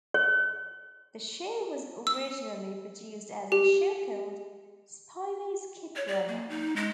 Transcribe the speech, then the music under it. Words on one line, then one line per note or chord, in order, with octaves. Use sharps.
The show was originally produced as a show called "Spivey's Kid Brother".
C#5
E6
G4
C#5
D5
A#3
D#4
G#3